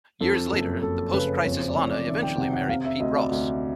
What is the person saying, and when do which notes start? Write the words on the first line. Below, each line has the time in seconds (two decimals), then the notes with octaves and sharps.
Years later, the post-"Crisis" Lana eventually married Pete Ross.
0.21 F2 A4
0.52 F#1 A4
0.82 F#1 A4
1.14 C#3 B4
1.45 F2 C#5
1.61 C5
1.69 D5
1.76 F1 C#5
1.91 D5
2.07 D#3 E5
2.23 G5
2.38 C3 F#5
2.54 F#5
2.69 C3 F5
2.85 E5
3.00 D2 D#5
3.16 D5
3.31 D2